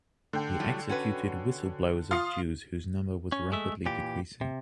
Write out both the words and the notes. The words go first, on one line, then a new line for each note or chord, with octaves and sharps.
He executed whistleblowers of Jews whose number was rapidly decreasing.
D3 G5
A2 F#3 G3
C#4 F#4 B4
F4 D#6 C7
C#4
G#3 A3 E5
A#2 E3 G4
C3